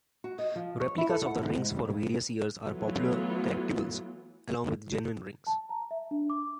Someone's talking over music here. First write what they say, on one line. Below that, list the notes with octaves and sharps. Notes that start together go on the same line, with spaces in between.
Replicas of the rings for various years are popular collectibles, along with genuine rings.
F#4
D#5
F3
C#5
E4
A4
F#5
E2
G#2
G3
F2
E3 F#3 A3 B3 F4
A5
A#5
E5
D4
D6